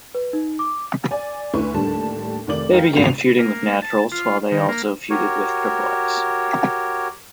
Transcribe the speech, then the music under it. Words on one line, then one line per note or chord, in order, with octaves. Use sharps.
They began feuding with Naturals while they also feuded with Triple X.
B4
D#4
D6
D5 G#5
D2 C#4 E4 B4 C#6
D#2 A2 D3 G3 A5
F1 D#3 D5 D6 F#7
D#4 A#4 F5 G5
G#1 D#2 F#4 C7 F7
A#3
A5
F4
D#3
A#3
F#4 G4 A#4 C#5